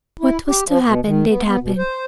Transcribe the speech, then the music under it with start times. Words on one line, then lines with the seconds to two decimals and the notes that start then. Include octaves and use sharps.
What was to happen did happen.
0.20 E4
0.48 G4
0.67 F3
0.85 B2
1.06 D#3
1.28 B3
1.45 B3
1.61 B2
1.78 C5